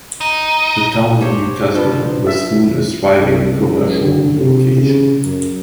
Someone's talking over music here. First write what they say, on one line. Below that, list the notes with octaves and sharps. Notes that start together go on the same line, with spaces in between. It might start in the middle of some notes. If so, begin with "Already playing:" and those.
The town of New Tazewell was soon a thriving commercial location.
D#4
G4 C5 C#5
F3 D4 F4 B4 C5
E5
C2
C#2
D3
C3
C#3
F#2